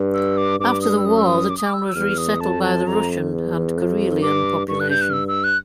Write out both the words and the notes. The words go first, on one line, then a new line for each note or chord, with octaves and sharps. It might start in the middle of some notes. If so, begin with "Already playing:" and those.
After the war, the town was resettled by the Russian and Karelian population.
Already playing: G2
E6
D6
G2 D6
D#6
E6
F#2 D#6
E6
D#6
D6
D#6
D6
E6
E6
E2 F6
D#6
F2 A5
A5
F2 A#5
E2
F2
G2 D6
G2 C#6
F#6
G6
F#6
F6
E6
E6
F#6